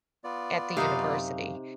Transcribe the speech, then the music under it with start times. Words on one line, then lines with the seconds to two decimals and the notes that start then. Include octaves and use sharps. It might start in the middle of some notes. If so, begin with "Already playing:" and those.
at the university,
0.24 B3 F4 D5
0.77 F#2 C3 D#4 F5